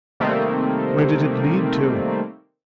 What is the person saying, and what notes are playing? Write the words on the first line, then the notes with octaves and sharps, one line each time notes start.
Where did it lead to?
C3 D#3 G3 A3 A#3 C4